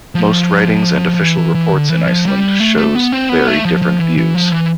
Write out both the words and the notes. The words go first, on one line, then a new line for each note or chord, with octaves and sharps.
Most writings and official reports in Iceland shows very different views.
F3
F3
E3
E3
E3
D3
E3
F3
G3
A3
A3
B3
C4
B3
A3
F3
F3
E3
E3
F3
E3